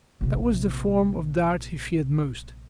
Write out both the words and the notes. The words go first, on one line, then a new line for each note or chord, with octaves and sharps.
That was the form of doubt he feared most.
A#1 C3